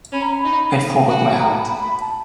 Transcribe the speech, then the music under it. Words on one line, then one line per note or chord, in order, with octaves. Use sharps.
I forgot my hat.
C#4 B5
A#5
B5
D#4
F#4
A#5
B5
B5
A5